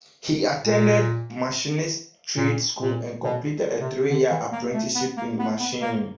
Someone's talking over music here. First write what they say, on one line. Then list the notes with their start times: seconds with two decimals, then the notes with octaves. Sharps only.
He attended machinist trade school and completed a three-year apprenticeship in machining.
0.65 A#2
2.37 A#2
2.81 A#2
3.24 B2
3.80 C3
4.09 D3
4.31 E3
4.52 A#3
4.74 A3
4.95 B3
5.17 A#3
5.39 B3
5.60 B3
5.82 A#3